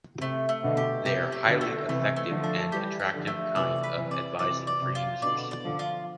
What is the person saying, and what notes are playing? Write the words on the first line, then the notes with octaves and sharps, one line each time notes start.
They’re a highly effective and attractive kind of advertising for users.
C3 A3
A3
B2 D3
G4
C3 G4
A3
B2 D3
A3
C3 E3 A3
A3
D3 F3
D4
E3 G3 G4
G4
D3 F3
A3
C3 E3 D5
B4
C3 E3
D5
C3 E3 D5
D5
C3
F4
B2 D3 D5
D5
D3 F3
F4